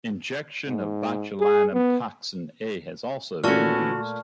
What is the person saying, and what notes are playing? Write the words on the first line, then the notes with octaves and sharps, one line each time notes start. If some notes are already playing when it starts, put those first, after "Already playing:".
Injection of botulinum toxin A has also been used.
G#2
G#4
B3
A#2 E3 A3 C#4 F#4 A5 C#6 F6